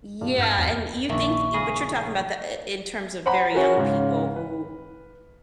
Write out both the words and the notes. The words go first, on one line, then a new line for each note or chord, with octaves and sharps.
Yeah, and you think e but you're talking about the i in terms of very young people who
G2 B2
G2 F6 G6 C#7
B1 E2
A#1 D#3 A#3 D4 G#4 E5 C#6
C#3 G#4
C5 F#5 A#5 B5
C#4 F#4 G#4 A#4
G#2 C#3
B4